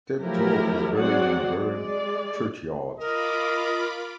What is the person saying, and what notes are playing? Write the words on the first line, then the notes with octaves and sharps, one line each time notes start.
Steptoe is buried in Bourn churchyard.
F3 F#3 A3 E4 G4 A#4
F#3 G#3 C4 F#4 D5 F#5
G#3 D5
F4 A#4 D#5 B5 D6